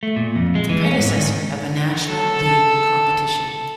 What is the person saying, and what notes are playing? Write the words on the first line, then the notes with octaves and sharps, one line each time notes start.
The predecessor of a national league competition.
A3
A#2
F2
G#3
E3
C#4
G#2
D#3
A4 A5